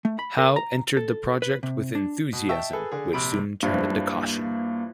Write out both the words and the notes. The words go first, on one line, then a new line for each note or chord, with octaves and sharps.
Howe entered the project with enthusiasm which soon turned into caution.
A3
B5
A#4
A#5
A4
B4
C3
D4
B2
D#5 E5 G5 A5 C#6 E6
G#4 A4 B4
D3 G#4
A#1 C3 B5 D7
G2 E3 F3 A#3